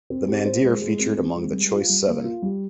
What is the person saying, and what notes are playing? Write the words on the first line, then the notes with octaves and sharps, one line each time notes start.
The Mandir featured among the choice seven.
C4
G4
C5
G#3
G#3
C4
C4
G#3
G3
F4
G3
A#3
F4
G3